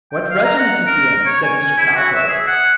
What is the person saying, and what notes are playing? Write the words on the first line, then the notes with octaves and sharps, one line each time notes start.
"What regiment is he in?" said Mr. Calthorp.
G5
F5
A#5
F#5
A#4
C#5
G#5
E4
F#4
E5
G#4
F#5